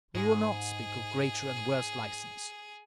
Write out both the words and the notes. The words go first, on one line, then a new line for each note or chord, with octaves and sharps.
We will not speak of greater and worse license.
G#2 G#4